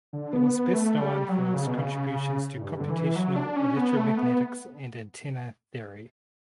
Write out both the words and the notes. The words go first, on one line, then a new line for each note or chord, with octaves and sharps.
He was best known for his contributions to computational electromagnetics and antenna theory.
D3
B3
B3
A3
G3
F#3
C#3
B2
C#3
A2
G2
D3
E3
F#3
D4
C#4
B3
A3
B3